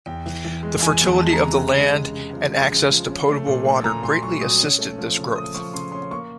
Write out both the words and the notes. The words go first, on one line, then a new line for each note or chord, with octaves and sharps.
The fertility of the land and access to potable water greatly assisted this growth.
E2 G5
E3
E3
G#3
E3 G#5
E2
A5
G#3
A#5
C3
C#3
G#3
C#3
C#3
F3
G#3
C#3
F3
C#4
A3
A#2
A3
A#2 A#5
A#2 C6
F#3 C#6
F#3 D#6
C#4
A3
F3
C#3
A3 D#6
F3 C#6
C#3 C6
C#4 C6
A#3 C#6